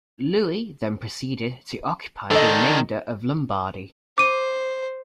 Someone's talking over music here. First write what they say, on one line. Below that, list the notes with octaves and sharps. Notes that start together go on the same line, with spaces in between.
Louis then proceeded to occupy the remainder of Lombardy.
D#3 D4 A4 D#5
C5 D6 D#7